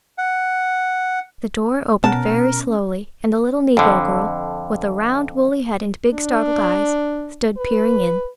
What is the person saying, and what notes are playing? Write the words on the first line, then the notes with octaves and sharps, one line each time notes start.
The door opened very slowly and a little negro girl, with a round woolly head and big startled eyes, stood peering in.
F#5
B2 B3 C#4 A#4 F#5 A5
F2 D3
D4
B4